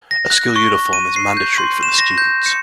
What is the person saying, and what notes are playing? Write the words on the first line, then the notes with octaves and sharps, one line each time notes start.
A school uniform is mandatory for the students.
A#6
F#6
C#6
D#7
C7
G6
C6
E7
A#6
G6
C#7